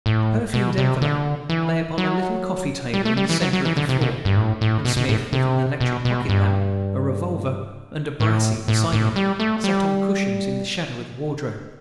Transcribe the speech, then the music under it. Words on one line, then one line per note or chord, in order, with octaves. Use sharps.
The perfumed envelope lay upon a little coffee table in the center of the floor, and Smith, with an electric pocket lamp, a revolver, and a brassey beside him, sat on cushions in the shadow of the wardrobe.
A2
B2
C3
D3
E3
F#3
G3
A3
G3
E3
F#3
F#3
E3
D3
C3
B2
G2
A2
A2
B2
B2
A2
C3
B2
B2
G2
A2
A2
A2
G3
A3
G3